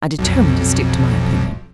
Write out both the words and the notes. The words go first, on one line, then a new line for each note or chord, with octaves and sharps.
I determined to stick to my opinion.
B1 F2